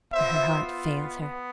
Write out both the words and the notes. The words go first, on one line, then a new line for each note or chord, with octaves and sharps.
But her heart failed her.
B3 F4 C5 E5
B3